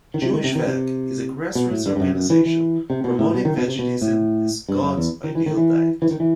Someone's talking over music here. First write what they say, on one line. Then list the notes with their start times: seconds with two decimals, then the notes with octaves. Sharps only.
Jewish Veg is a grassroots organization promoting veganism as "God's ideal diet".
0.14 D#3
0.22 C3
0.33 D#3
0.44 C3
0.55 D#3
0.66 C3
1.55 B2
1.71 A2
1.86 G2
1.96 G2
2.00 F#2
2.15 F#2
2.30 E3
2.45 E3
2.90 C3
3.04 B2
3.19 A2
3.34 B2
3.45 D#3
3.57 B2
3.68 C3
3.79 B2
4.01 A2
4.69 G2
4.83 F#2
4.97 E2
5.24 D#3
5.35 E3
5.46 D#3
5.57 E3
6.02 E3
6.11 D#3
6.20 E3